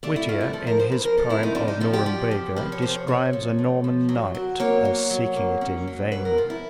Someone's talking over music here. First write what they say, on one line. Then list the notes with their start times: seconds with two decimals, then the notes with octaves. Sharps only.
Whittier in his poem of "Norumbega" describes a Norman knight as seeking it in vain.
0.03 A3 D4
0.16 E4
0.29 A3 F4
0.41 E4
0.53 F3 A4
0.67 A#4
0.79 F3 C5
0.92 B4
1.04 F3 A#4
1.18 A4
1.29 F3 E4
1.43 D#4
1.55 F3 D4
1.68 D#4
1.80 F3 F4
1.93 G4
2.06 F3
2.31 F3
2.56 F3 B4
2.72 C#5
2.82 C3 C5
2.95 C#5
3.08 C3 C#5
3.33 F3
3.59 A3
3.84 F3
4.09 F#3
4.35 F#3
4.60 A#3 C#5
4.85 F#3
5.10 F#3
5.36 A#3
5.61 C#4
5.87 F#3
6.12 G#2 B4
6.25 A#4
6.38 F3 F4
6.50 E4